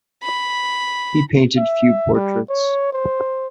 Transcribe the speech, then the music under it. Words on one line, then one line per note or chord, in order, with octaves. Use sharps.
He painted few portraits.
B5
E5
G3
C#5
C5